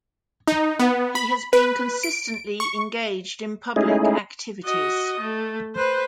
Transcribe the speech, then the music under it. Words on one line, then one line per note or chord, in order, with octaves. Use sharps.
He has been consistently engaged in public activities.
D#4
B3
B5
B4
D7
C#6
G#3 A3 C#4 D#4 E4 G#4
F#4 D#5
A3
B4 C5